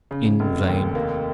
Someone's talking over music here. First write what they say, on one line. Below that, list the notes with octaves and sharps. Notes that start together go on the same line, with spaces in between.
In vain!
C#3
F1
D#2
A#3